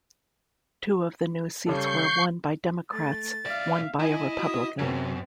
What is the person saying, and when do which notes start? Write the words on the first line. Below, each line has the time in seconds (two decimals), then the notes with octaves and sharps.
Two of the new seats were won by Democrats, one by a Republican.
1.66 C#3 G3 A4 C#6 G6 C7
2.91 A3 A6
3.46 B1 D5 E5 F5
4.00 E4 D#5 G#5
4.39 F#4 D#6
4.79 F#2 C3 F#3 B3 C4 G#4 A#4